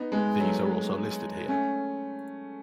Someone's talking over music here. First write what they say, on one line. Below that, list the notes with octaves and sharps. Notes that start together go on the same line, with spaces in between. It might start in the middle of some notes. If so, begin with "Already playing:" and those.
These are also listed here.
Already playing: B3 D#4
G#3 B3
F#3 A3
A3 C#4